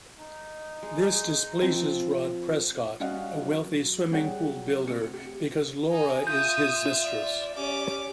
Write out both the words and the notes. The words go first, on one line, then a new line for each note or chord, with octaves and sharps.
This displeases Rod Prescott, a wealthy swimming-pool builder, because Laura is his mistress.
D#4
G#3
F3 C4
G3 C#4 F#4 D#5 F5 F#5
F#3
G3 G#4 C#5 F#5 G5
F#3
D2 C3 C#7
G4
D#4 G#5
F4 E5 D#6 G6
D5
C#4 G4 C#5 D6